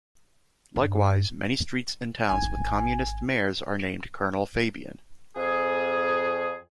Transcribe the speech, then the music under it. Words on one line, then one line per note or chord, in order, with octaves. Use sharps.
Likewise, many streets in towns with communist mayors are named "Colonel Fabien".
G2
G#1 G#5
F2 G#4